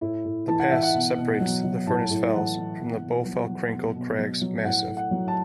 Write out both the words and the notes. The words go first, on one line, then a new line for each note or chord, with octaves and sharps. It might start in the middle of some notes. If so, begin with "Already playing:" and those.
The pass separates the Furness Fells from the Bowfell-Crinkle Crags massif.
A2 E4
A2
E3 A5
F#5
E3 E5
F#5
B2
B2
F#3
F#3
A2 A5
A2
E3 F#5
E3
B2
B2
F#3
F#3
B2
B2
F#3
F#3
A2 F#5
A2
F#5
F#3
A5